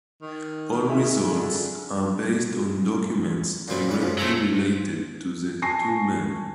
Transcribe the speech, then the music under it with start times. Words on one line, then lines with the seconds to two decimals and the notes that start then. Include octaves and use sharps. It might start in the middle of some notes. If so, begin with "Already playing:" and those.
All results are based on documents directly related to the two men.
0.22 D#3
0.88 G#4 E5 G#5
1.32 D3
3.68 A#2 C5 B5
3.87 C#2 E3 B4
3.99 F#2 C#3 F3
4.18 F#3 A3 E4 A4 C5
5.62 G#5 A5 C#6 A#6 C7